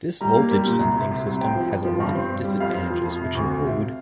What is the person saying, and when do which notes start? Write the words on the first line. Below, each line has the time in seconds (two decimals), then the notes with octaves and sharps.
This voltage sensing system has a lot of disadvantages, which include.
0.21 G3 A#5
0.36 A#3
0.51 G3
0.66 A#2
0.81 C2
0.96 C3
1.11 C3
1.26 C2
1.41 C4 G5
1.55 F3
1.71 F2
1.85 F3
2.00 G2
2.15 C4
2.30 G2
2.45 G3
2.60 F2 F5
2.74 C4
2.90 F3
3.05 F2
3.21 C3
3.35 D2
3.50 D2
3.64 C3